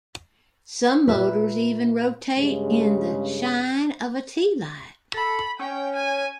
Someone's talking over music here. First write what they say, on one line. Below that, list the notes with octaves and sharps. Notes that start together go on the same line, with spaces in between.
Some motors even rotate in the shine of a tealight.
A#2 B4 E5
G2 C#3 G#3
A4 B5
C#4 G5
G#5